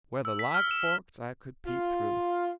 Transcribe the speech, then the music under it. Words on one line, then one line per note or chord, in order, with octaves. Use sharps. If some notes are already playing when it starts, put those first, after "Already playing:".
Where the log forked I could peep through.
E6
B6
F6
E7
F4